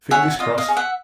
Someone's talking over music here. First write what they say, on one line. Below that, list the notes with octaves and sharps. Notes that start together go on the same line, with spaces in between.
Fingers crossed!
G#4 C#5 E5 F#5
F4 D#5 F5
D#5 F5
G#4 C#5
E5 F#5